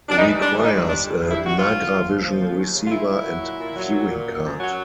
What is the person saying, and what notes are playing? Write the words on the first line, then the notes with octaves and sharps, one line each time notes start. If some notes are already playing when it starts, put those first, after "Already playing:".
Requires a Nagravision receiver and viewing card.
D4
E3 D#4
G3
D4
E3
D#4
G2
G3 D4
G2
G2
E4
G3
F#4
D#2 F4
C#3
D#2
D#2
F3
D#2
D#2
C#3
F4
A#2 E4
A#2
F#3
A#2
A#2
F#3
A#2
A#2
F#2
F#2
F#3